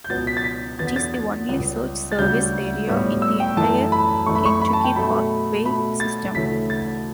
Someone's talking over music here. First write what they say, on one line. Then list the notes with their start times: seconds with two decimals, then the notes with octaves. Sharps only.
It is the only such service area in the entire Kentucky parkway system.
0.04 G6
0.09 C#2 B2 F#3 B3 A6
0.27 B6
0.37 A6
0.44 B6
0.79 E2 D3 F#3 B3 A6
0.87 B6
0.96 A6
1.14 A6
1.48 C#2 C#3 G3
2.12 A6
2.18 D2 C#3 G3 G6
2.87 A2 G3 B3
3.22 E6
3.40 G5
3.57 F#2 E3 A3 A5
3.92 B5
4.26 F#2 E3 A3 C#6
4.35 B5
4.46 C#6
4.61 B5
4.73 A5
4.84 G5
4.96 B2 F#3 A3 B5
5.65 B2 A3 B5
6.00 A6
6.35 D2 C#3 E3 A3 B6
6.70 A6